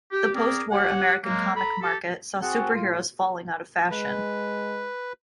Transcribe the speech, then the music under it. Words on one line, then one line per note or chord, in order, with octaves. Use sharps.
The post-war American comic market saw superheroes falling out of fashion.
G4
C4 G#4 A#4 D5
G4 C#5 F#5
F#3 G#3 A#3
A4 A#5 B5
G4 A4
C4 F#4 G#4 F#5 A5
A2 F4
G#3 B4